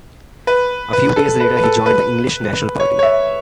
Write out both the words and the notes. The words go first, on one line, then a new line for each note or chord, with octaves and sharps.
A few days later he joined the English National Party.
B4
B4
A4
B4
B4
A4
B4
C#5
C#5
E5